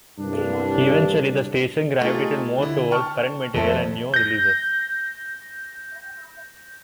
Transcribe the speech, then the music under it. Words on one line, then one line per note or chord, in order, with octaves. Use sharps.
Eventually, the station gravitated more toward current material and new releases.
C2 G2 D4
A3 D#4 F4 G4 G#4
D3 E4
G5 A5 C#6 F6
F2 A3 A4 C5 E5
G6 A#6